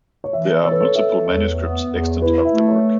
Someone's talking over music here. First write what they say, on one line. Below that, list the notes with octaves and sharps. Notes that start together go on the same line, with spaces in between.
There are multiple manuscripts extant of the work.
C#5
E3 E5
A4 C#5
B4
C#5
A4 E5
E2 C#5
B3
E2
E4 B4
E5
A3
C#5